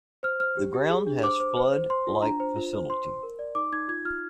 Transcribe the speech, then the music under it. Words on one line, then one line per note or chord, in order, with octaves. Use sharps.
The ground has flood light facility.
C5 F6
C5 F6
G4
G4
G#4
D4
C5 D6
C5
C5
C5
C5 C6
F4
D4 A#5
C5
F4
C5
C5 C6
C5
A#4
D5
D#4 D6
D#4 G#6
F4 G#6
F4 F6